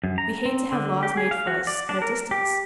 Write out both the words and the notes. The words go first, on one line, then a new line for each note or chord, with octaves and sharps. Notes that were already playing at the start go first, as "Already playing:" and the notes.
We hate to have laws made for us at a distance.
F#2
A#5
C4
D3
G4
G#4
F5
F#4
D5
D4
A#4
G4